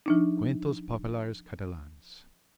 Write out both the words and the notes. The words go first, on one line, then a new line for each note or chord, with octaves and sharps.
Cuentos Populars Catalans.
F3 D4 D#4